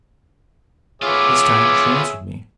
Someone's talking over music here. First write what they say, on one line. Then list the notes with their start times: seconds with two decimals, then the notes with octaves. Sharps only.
This time she answered me.
1.02 B3 F4 G#4 C#5 E5 D6